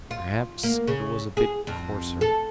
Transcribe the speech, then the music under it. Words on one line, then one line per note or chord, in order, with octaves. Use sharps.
Perhaps it was a bit coarser.
F4
A#3
C#3
G#4
F2
A4